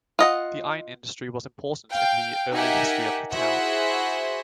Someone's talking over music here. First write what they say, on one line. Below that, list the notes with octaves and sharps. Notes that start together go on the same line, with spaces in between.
The iron industry was important in the early history of the town.
F4 D#5 F#5
F5 G5
D#4 G4 A#4 E5 F#5 G#5
E4 F#4 G#4 C5 E5 F#5